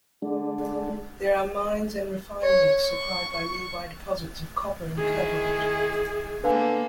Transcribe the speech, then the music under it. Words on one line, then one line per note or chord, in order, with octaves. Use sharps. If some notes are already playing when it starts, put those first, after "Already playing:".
There are mines and refineries supplied by nearby deposits of copper and cobalt.
D3 G#3 D4
C#5
C#6
D#3 E4 G#4
D3 A#3 B3 B4 F5 G#5